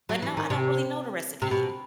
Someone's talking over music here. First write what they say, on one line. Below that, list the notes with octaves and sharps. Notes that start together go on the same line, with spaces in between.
but no, I don't really know the recipe.
F#3
E3
D#3
C3
C3
B2